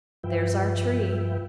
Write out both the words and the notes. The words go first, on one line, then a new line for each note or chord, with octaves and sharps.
"There's our tree."
G2 F3 F4 B4 E5 G5